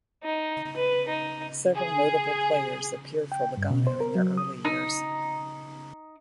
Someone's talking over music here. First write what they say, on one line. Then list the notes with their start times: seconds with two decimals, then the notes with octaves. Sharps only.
Several notable players appeared for Legnano in their early years.
0.23 D#4
0.76 B4
1.08 D#4
1.74 G#4
3.32 G5
3.57 G2
3.71 B2
3.87 C5
4.01 A#4
4.15 F#3
4.37 D#6
4.65 D#4